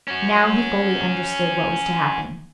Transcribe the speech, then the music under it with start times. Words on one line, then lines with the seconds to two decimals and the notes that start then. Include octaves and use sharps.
Now he fully understood what was to happen.
0.08 C#4 F#4